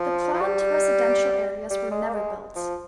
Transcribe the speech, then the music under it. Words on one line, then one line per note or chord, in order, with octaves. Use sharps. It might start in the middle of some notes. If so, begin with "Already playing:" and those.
The planned residential areas were never built.
Already playing: F3
F3
G3
G3
G#3
A#3
G#3
F3